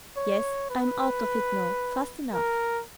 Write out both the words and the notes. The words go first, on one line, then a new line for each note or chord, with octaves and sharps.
"Yes--I'm out of it now fast enough."
C#5
B4
A#4